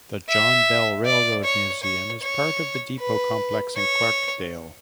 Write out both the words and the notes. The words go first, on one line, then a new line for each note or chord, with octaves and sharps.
The John Bell Railroad Museum is part of the depot complex in Clarkdale.
E5
D5
C#5
C#5
C#5
B4
C#5